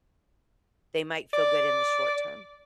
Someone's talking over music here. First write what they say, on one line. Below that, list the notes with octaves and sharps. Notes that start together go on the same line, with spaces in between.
They might feel good in the short-term.
D5